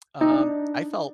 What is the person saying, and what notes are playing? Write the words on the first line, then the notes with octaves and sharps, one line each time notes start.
Um, I felt
D#4
D4